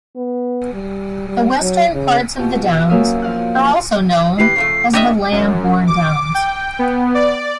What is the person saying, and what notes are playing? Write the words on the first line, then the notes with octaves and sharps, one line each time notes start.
The western parts of the downs are also known as the Lambourn Downs.
B3
G3
G3
F#3
C#3
B2 F4 G4
E5
F#2 A#3 A#4 E5 F5 D#6
F3 F5 F#6
E4 G4 B4 C7
C#3 F3 A3
A2 D4 G4 D#5 E5
F#2
D6
G5
B3
D5